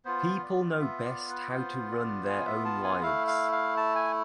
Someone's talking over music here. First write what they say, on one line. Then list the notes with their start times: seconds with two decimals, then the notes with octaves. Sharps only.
People know best how to run their own lives.
0.05 B3 F4 C5
0.43 D5
0.80 E5
1.05 D5
1.30 B4
1.54 C5
1.92 D5
2.29 G#5
2.46 E5
2.65 A5
2.84 G#5
3.02 A3 E4 F5
3.27 F5
3.52 F5
3.77 A5
3.95 G#5